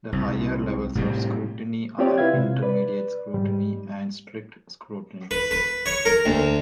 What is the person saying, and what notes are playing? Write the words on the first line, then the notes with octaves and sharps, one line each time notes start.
The higher levels of scrutiny are intermediate scrutiny and strict scrutiny.
C2
A2 C3 G3
C4 F4 G4 C#5 D5 G5
E4 F4 B4 E5 F5 G#6
C3
B4 D5
G#2 G3
B4
B4
C#5
A#4
D2